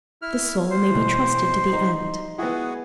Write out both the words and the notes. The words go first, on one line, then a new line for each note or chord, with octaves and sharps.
The soul may be trusted to the end.
E4 F6
C5
B2 E3
D#4 C6
B3 E4 F#4 G#4